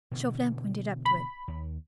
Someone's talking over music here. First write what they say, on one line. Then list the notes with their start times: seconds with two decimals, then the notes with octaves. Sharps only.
Chauvelin pointed up to it.
0.11 B2 D3 E3
1.05 B5
1.48 D#2